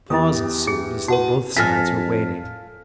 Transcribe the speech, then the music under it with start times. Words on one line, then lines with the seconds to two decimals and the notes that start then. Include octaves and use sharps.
A pause ensued, as though both sides were waiting.
0.10 E2 G4 D#6 A6
0.67 G#4
1.08 F#4 B4 F#5 A5
1.57 F2 F4 A4 G#5 F6 A#6 B6